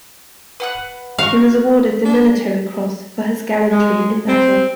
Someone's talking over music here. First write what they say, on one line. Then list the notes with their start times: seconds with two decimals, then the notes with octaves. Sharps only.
He was awarded the Military Cross for his gallantry in battle.
0.60 B4 F#5 F#6
1.18 F#4 F5 C#6
2.05 D4
3.71 G#3
4.28 C4